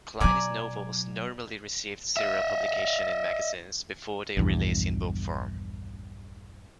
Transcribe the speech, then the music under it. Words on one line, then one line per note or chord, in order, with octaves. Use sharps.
Kline's novels normally received serial publication in magazines before their release in book form.
B2 F#3 D5 G#5 A#5
D#5 E5
A#1 E2 G2